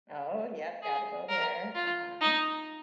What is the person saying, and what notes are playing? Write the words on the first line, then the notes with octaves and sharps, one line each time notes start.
Oh, yep, gotta go there, uh-huh.
G#4
A#4
F4
D#4